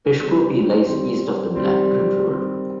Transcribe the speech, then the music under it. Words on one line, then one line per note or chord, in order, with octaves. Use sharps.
Peshkopi lies east of the Black Drin river.
D#3 G3 C4
D#3 G3 C4
D#3 G3 C4
D#3 G3 C4